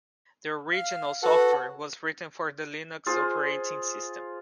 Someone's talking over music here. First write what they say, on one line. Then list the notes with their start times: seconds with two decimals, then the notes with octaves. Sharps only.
The original software was written for the Linux operating system.
0.72 F5
1.23 F#4 A4 B4 F#5
3.06 F4 G#4 C5